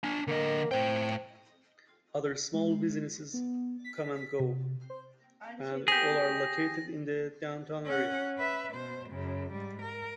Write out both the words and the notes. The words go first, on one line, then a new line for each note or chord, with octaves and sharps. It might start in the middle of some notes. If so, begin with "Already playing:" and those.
Other small businesses come and go, and all are located in the downtown area.
D4 G#5
D3 A#3 D#5
A2 C4 G5
G#3
B3
B6
B6
C3
C5
G4 G#4 A#6
C#4 F#5
B4 E5
B2 C5
F#2 C#3
G#2 G3
A#4